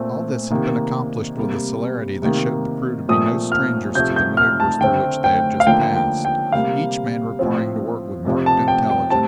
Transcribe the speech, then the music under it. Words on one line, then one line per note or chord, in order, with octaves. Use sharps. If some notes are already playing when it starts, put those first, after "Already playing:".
All this had been accomplished with a celerity that showed the crew to be no strangers to the manouvres through which they had just passed, each man requiring to work with marked intelligence.
Already playing: A#2 A3 C4
C3 D#3 A#3
C3 G3 A#3
C3 D#3 A#3
A#2 F3 A3 C4 D#6
F6
C3 F3 A3 G6
G6
F6
A5
D3 A3 C4 G5
G5
F5
D3 F3 A#3 G5
G5
G5
C3 G3 A#3 F5
A2 F3 C4
F2 C3 F3
A5
G5
G5
A2 G3 C4 A5